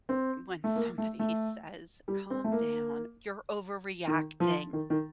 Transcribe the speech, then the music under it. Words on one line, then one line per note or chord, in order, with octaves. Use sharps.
when somebody says, "Calm down, you're overreacting,"
C4
A3
A#3
A3
A3
G3
C4
A3
A#3
D#3
F3
D#3
D#3